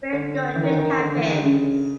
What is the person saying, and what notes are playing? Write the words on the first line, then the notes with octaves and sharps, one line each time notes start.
We’re going to Campins.
D3
E3
D#3
D3
D#3
D3
E3
D#3
D3
C#3